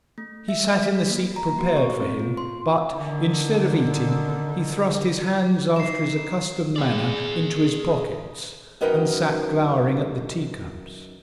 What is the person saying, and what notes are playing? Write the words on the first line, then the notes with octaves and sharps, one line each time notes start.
He sat in the seat prepared for him, but, instead of eating, he thrust his hands after his accustomed manner into his pockets and sat glowering at the teacups.
A3
E5
D5
B6
A#3
A#5
F#4
C#6
C4
F4
C6
D3 D#3
D#4 C7 E7
G#4 D5
F#2 D#4 A#4 B4 D#5 G5